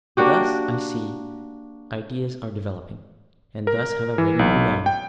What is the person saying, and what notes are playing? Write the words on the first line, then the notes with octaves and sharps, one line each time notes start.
Thus, I see, ideas are developing, and thus have I written them down.
A#3 D4 F#4 G4
A#4
E3
B1
G5